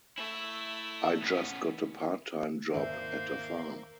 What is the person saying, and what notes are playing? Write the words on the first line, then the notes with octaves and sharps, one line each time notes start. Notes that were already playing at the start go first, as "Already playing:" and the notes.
I just got a part time job at a farm.
A3 E4
B3 C#4
G#1 D#2 A#3 C5 E5